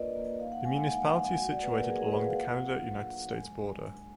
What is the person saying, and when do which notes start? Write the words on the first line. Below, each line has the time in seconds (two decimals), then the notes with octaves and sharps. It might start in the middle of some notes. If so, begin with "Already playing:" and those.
The municipality is situated along the Canada-United States border.
Already playing: A#3 D4 F4 A#4 B4 D5 D#5
0.15 A#3
0.40 D#4 F5
0.52 F#5
0.64 G#3 G#5
0.77 F#5
0.89 D#4 F#5
1.13 G#3 F#5
1.26 G#5
1.38 F#4 F#5
1.50 D5
1.62 A#3 B4
1.75 A#4
1.87 F#4 G#4
1.99 G#4
2.12 A#3 B4
2.24 F5
2.36 F4 F#5
2.61 F#3
2.85 D4
3.10 F#3
3.34 G#3 G#5
3.59 D4
3.83 G#3